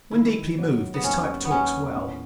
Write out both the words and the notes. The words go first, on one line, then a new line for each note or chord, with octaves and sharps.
When deeply moved this type talks well.
D#3 E4
F#3
B3
D#2 C#4
B3
D#2 C#4
A2